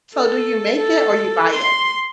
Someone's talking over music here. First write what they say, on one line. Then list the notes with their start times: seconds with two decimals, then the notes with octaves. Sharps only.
So do you make it or you buy it?
0.16 A4
0.78 A4
1.54 C6